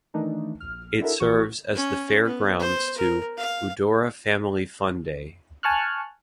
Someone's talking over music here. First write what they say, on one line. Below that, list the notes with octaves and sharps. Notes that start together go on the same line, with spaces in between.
It serves as the fair grounds to "Udora Family Fun Day".
D#3 E3 A3 D4 D#4
A#1 F6
D4 E4 F#4 A4 A#4 E5
A#1 E3 F#4 C#6
C#4
B3
C5
A#4
F5
G#5 A5 C#6 F6 F#6